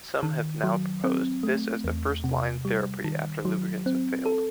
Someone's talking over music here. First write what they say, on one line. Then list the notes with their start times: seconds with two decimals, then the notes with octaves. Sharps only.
Some have now proposed this as the first line therapy after lubricants have failed.
0.23 D#3
0.64 F#3
1.04 C4
1.43 A3
1.84 E2
2.24 C3
2.65 G3
3.04 D#3
3.45 F#3
3.86 C4
4.26 A4